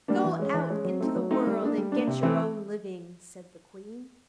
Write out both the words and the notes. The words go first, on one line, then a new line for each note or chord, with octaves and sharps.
"Go out into the world and get your own living," said the Queen.
G3 A#3 D4
E3
G#3 C#4
E3
G#3 C#4
F#3
A3 C4 D#4
F#3
A3 C4 D#4
G3
A#3 D4
G3
A#3 D4
C3
E3 A3 C4